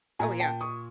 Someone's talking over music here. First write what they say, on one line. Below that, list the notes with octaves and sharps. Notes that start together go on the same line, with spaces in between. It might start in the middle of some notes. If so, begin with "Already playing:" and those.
Oh yeah.
A#2 G#5 A#5
G5 A5
C#6 D#6